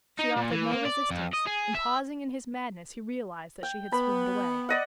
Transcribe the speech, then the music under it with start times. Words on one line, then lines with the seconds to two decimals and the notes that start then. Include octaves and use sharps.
She offered no resistance, and pausing in his madness he realized that she had swooned away.
0.19 D#4
0.37 A#2
0.51 E3
0.71 A#3
0.85 D5
1.11 F2
1.34 D#5
1.47 G#4
1.75 E5
3.63 G5
3.92 B3 B5
4.69 D5 D#5 F#5